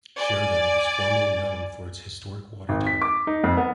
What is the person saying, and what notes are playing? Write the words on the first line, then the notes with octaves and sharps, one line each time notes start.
Sheridan was formerly known for its historic water tower.
D5 G#5
G#1
B6
D6
D#4
F2
B3